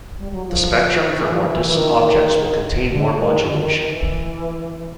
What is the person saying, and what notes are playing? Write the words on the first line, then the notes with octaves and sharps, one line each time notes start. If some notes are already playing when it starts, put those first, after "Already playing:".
The spectrum for more distant objects will contain more modulation.
G3
F#3
F3
E3
F3
E3
E3
D#3
D3
D#3
D3
D#3
D#3
E3